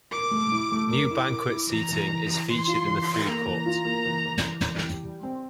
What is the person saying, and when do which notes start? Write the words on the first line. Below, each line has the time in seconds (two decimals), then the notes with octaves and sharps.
New banquet seating is featured in the food court.
0.11 A#4 D6
0.31 A3
0.52 E4
0.72 A3
0.91 A#4 D6
1.11 E4
1.30 A#4
1.49 E4
1.69 E3 A#5
1.89 E3
2.08 E3
2.28 E3
2.48 E3 C6
2.68 F4
2.87 E3
3.06 E3
3.27 A#3 A#5
3.46 E3
3.66 F4
3.85 A#3
4.05 E3
4.26 E3
4.45 E3
4.64 E3
4.84 G4
5.04 G3
5.23 C4